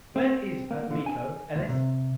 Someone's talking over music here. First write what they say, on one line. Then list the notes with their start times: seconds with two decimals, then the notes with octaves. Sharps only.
"Where is Miko, Ellis?"
0.16 C4
0.71 A#3
0.90 D3
1.06 G#5
1.56 D2
1.69 C3